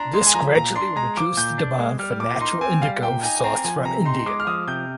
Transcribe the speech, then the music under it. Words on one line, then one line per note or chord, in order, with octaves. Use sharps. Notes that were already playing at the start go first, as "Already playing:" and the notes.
This gradually reduced the demand for natural Indigo sourced from India.
Already playing: D4 A#5 C6
G#3 C6
G#5
F3 A#5
A#2 A#5
D4 C6
G#3 A#5
F3 D6
A#2 G6
D4
G#3
G3 F6
A#2 D6
D#4 C6
C4 G#5
G3 F5
A#2 G5
D#4 G#5
G#5
C4 A#5
F3 G#5
C3 A#5
D#4 C6
C6
G#3 D6
F6
F3 D#6
C3 G6